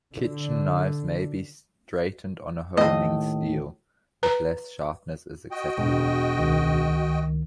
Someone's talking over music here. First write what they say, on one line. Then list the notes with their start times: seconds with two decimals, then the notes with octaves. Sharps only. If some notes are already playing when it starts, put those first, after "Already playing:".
Kitchen knives may be straightened on a honing steel if less sharpness is acceptable.
0.14 D3
2.77 D#2 A2 D#5
4.23 B4 A#5
5.51 F#4 D#5 G5
5.77 E1
6.38 C#2 D#3